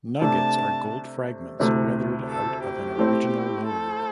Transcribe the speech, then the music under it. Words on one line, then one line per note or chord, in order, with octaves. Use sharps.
Nuggets are gold fragments weathered out of an original lode.
C3 A3 D4 A4 A5
D2 C3 A3 E4
A4
G4
A2 A3 C4
A4